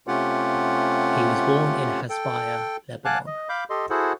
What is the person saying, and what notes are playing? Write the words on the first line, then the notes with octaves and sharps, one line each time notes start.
He was born in Hasbaya, Lebanon.
C3 A3 C#4 F4 G4 F#5
A4 G5
F5 F#5 G#5 A5 D6 F#6
D#5
F5 B5 D6 G6
G4 A4 D#5 C6
E4 F#4 G#4 A4 C5 F#5